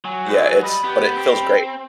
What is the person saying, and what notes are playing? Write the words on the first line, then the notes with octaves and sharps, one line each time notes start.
yeah, it's but it feels great.
F#3 G#5
D3 E3 D#4
G3 D#5 B5
B3 G4
C4